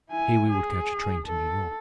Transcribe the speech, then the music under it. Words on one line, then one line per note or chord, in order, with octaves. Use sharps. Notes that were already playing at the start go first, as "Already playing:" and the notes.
Here we would catch a train to New York.
E4 G#5
G#4
A4